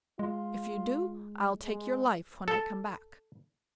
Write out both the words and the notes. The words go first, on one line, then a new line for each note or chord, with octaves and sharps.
If you do, I'll take your life when I come back.'
G#3 F4
G#3
A4